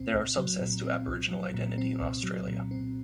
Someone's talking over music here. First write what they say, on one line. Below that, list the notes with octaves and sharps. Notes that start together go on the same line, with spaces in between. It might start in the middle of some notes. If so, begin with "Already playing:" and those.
There are subsets to Aboriginal identity in Australia.
Already playing: C2 A#2 C4
C2
F#3
A#2
C4
C2
F#3
A#2
C4
C2
F#3
A#2
C4